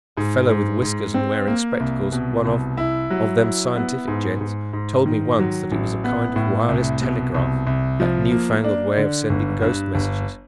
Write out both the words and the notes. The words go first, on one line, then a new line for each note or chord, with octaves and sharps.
A fellow with whiskers and wearing spectacles one of--of them scientific gents--told me once that it was a kind of wireless telegraph, that newfangled way of sending ghost messages.
G#2
G#2
G#2
C4
A#3
C2
B2
C2
E4
F#3
E4
B3
G#2
G#2
G#2
D#3
F#3
A1
B3
A2
C2
B2
C2
C2
F3
A#3
D4
D3
G1
G2
G1